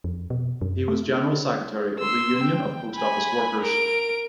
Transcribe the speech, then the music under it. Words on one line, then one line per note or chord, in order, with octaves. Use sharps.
He was General Secretary of the Union of Post Office Workers.
F2
B2
F#2
A3
C6 E6
G5
G#5 B5
A#4 D7